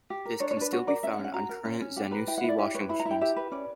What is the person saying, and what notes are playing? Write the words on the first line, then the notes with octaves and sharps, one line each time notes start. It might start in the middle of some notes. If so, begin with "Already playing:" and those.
This can still be found on current Zanussi washing machines.
G4
A#4
D4 C#5
C#5
D4 B4
F#4 C#5
A#4 D5
C#4 E5
F#5
C#4
F#5
F#4 A#5
A#4
C#4
C#4
G4 F#5
B4 A#5
E4 G5
F#5
E4
D5
G4 C#5
B4 C#5
E4 B5
A#5
E4
G5
G4 E5
B4
C#4 D5